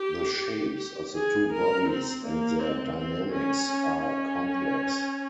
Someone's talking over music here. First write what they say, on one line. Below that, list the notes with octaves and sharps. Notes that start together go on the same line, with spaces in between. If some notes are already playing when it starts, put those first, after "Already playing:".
The shapes of the two bodies and their dynamics are complex.
Already playing: G4
G#4
A#4
C4
A#3
C4
C4
C#4
C#4
C#4